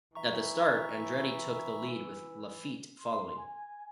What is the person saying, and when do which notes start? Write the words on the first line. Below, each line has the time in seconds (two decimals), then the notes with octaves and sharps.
At the start, Andretti took the lead with Laffite following.
0.15 E3 E5 A#5 C#6
3.00 C6
3.38 G#5